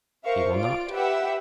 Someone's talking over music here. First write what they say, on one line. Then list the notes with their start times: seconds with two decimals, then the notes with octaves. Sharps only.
He will not.
0.24 A#4 C5 E5 F5 C#6
0.53 F4 D5 D7
0.92 G4 B4 E5 F#5 G5